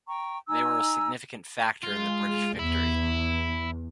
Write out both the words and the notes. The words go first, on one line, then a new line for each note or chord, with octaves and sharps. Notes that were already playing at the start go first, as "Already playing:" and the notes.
They were a significant factor in the British victory.
G5 A#5 C#6
D#4 G#5 A#5 E6
G#3 F4
E2 E4